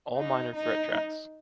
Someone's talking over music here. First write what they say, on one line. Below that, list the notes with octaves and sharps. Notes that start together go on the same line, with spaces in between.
All Minor Threat tracks.
D#4
D#4